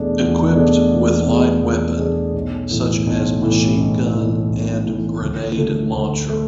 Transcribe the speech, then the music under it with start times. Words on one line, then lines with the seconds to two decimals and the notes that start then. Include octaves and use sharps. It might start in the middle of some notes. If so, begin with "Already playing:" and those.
Equipped with light weapon such as machine gun and grenade launcher.
Already playing: E2 B2 A3 D4 G#4
0.20 E2
0.54 B2 A3 D4 G#4
0.91 E2
1.27 B2 A3 D4 G#4
1.62 E2
1.99 B2 A3 D4 G#4
2.35 B1
2.71 A2 E3
3.07 B1
3.42 A2 E3
3.78 B1
4.14 A2 E3
4.50 B1
4.86 A2 E3
5.22 D2
5.57 D3 A3
5.93 D2
6.29 A3